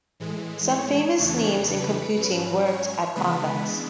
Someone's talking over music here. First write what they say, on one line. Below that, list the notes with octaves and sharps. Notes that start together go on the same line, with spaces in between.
Some famous names in computing worked at Convex.
A2 E3 G#3
C#5
E2 C#3 E3 A3 D4
B4
G#2 F#3 C#4
C#5
C#3 E3 G#3 B3 D4 B4